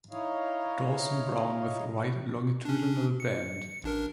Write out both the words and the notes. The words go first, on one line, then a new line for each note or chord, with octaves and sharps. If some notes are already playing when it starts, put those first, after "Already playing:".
Dorsum brown with white longitudinal band.
D#4 E4 C#5 D#5 F5
C#4 D4
C#7
A1 D4 A#4